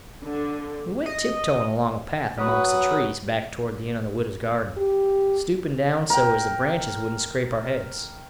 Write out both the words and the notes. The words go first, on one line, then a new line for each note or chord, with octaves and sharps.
WE went tiptoeing along a path amongst the trees back towards the end of the widow's garden, stooping down so as the branches wouldn't scrape our heads.
D3
D#5
F#3 F#4 B4 D#6
G4
A#4 G5